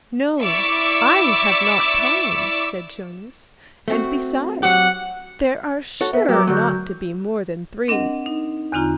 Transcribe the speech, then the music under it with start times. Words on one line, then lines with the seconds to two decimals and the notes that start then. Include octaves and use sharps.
'No, I have not time,' said Jonas, 'and besides, there are sure not to be more than three.
0.42 E4 D5 E5 C#6 D6 E6
3.88 A3 C4 F#4
4.63 F#3 C4 G4 F#5
6.01 F#4 A4 C#5
6.13 B3 E5
6.29 F#3 A#4 G5 D6
6.47 D3 A3 F#4 G6
7.88 C4 D4 A#4 D#5 F#5
8.26 D#4
8.72 E2 D3 C4 D#4 F4 A#5